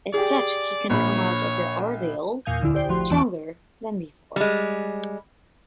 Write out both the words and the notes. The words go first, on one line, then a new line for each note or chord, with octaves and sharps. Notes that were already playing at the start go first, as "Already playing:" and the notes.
As such, he can come out of the ordeal stronger than before.
G4 G#4 D5
A#1 C#5 B5
E2 A#2 F5 G#5 D#6 G6
D2 D3 E4
G4 C5 D5 G5
A1 F3 F#4 C6
E2 E3 B3 A5 C#6 D7
G3 G#3